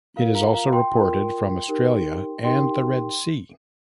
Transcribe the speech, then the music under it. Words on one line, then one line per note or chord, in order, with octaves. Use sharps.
It is also reported from Australia and the Red Sea.
F4 A#4 F5
F5 A#5
F5 A#5
G5 C6
F4 A#4
D#4 G4 A#4
D#4 G4 A#4 G5 C6